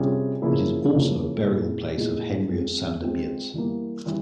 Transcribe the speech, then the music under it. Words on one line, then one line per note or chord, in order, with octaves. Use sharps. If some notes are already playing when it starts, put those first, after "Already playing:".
It is also a burial place of Henry of Sandomierz.
Already playing: C3 G3 C#4 F4 G#4
C#3 F3 A#3 E4 G#4
C#3 F3 A#3 E4 G#4
A#2 G#3 E4 G#4
A#2 G#3 E4 G#4
G#3 C4 F4 G#4
G#3 C4 F4 G#4
E3 G3 A#3
E3 G3